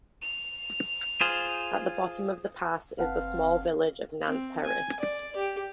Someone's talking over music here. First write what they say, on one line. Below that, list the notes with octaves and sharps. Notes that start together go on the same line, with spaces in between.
At the bottom of the pass is the small village of Nant Peris.
F7
F4 G#4 C5
F#1 C4 B4 F5 F#5 A5
C4
G#5
D5
G4